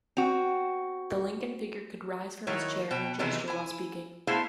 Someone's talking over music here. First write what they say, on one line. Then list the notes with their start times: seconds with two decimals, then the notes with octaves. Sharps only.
The Lincoln figure could rise from his chair and gesture while speaking.
0.17 C4 F#4
2.47 D#3 F#3 E4 A#4 C#5
2.91 B2 G5
3.19 C3 D#3 E3 F#3 G#3 B3
3.48 E4 G#5
4.27 A3 B3 E4 G#4 C5 F5